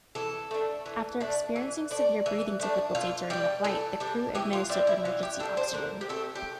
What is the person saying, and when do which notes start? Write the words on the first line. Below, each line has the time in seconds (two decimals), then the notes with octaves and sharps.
After experiencing severe breathing difficulty during the flight, the crew administered emergency oxygen.
0.15 E3 A4
0.51 A3 D4
0.86 E3
1.21 A3 D4
1.56 E3
1.91 A3 D4
2.26 E3
2.60 A3 D4
2.95 E3 F4
3.30 G3 D4 G4
3.64 E3 A4
4.00 G3 D4
4.35 E3 G4
4.53 F4
4.69 G3 D4 E4
4.87 E4
5.05 E3 F4
5.23 G4
5.39 D4 A4
5.43 G3
5.57 C5
5.74 D3 A#4
6.01 G4
6.09 A3 C4 A4
6.35 G4